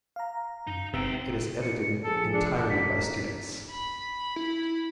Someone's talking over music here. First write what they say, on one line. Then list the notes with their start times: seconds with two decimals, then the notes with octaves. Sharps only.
It is edited entirely by students.
0.16 F5 A#5
0.67 F#2 D#4
0.94 F#1 C3 B3 G5 E6
1.62 C#7
2.04 A#1 G#4 A4
2.34 D4
2.70 G#2 G3 A#3 D4 B6
3.70 B5
4.36 E4